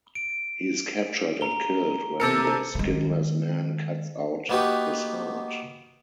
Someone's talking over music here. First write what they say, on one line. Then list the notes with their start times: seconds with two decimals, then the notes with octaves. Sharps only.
He is captured and killed when the Skinless Man cuts out his heart.
0.15 D7
1.41 A#5 G7
2.20 C3 A4 A#4 E6 C#7
2.75 D#3 G#3
4.49 A#3 B3 D#4 F#4 G4 B4